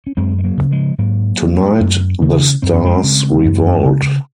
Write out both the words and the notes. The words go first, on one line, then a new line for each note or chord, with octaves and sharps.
Tonight the Stars Revolt!
C#4
F#2 G#3 C4
G#3
F#3 A#3
C#3
F3 G#3
G#2 F#3 A#3
F#2
C#3
F#2 C4
C#4
G#3 C4
C#3
F#2
C#3